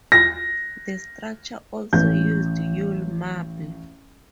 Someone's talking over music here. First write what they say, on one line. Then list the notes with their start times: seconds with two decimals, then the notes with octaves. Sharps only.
The structure also used Yule marble.
0.12 A#6
1.93 A1 G6